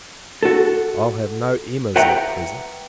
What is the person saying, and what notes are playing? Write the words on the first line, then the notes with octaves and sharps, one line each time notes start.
I'll have no Emmas, at present.
F#4 A4
B4 E5 F#5 G5 A#5